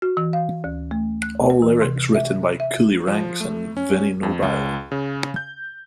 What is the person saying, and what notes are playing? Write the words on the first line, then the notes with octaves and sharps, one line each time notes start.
All lyrics written by Coolie Ranx and Vinnie Nobile.
F#4
E3
F5
D2
A3
F#6
B4
E3
C3
E5
E5
F3
A3
C#4
F2
C#2
C#3
G6